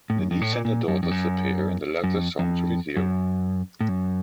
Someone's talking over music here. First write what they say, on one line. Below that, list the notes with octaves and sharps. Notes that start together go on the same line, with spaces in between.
Denise and their daughters appear in the latter song's video.
A2
F#2
F2
A2
A#2
A#2
F#2
F2
F#2
F#2
F2
F2
F#2
A2
F#2